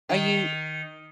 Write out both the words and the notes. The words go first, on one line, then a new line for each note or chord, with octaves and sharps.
Are you
D#3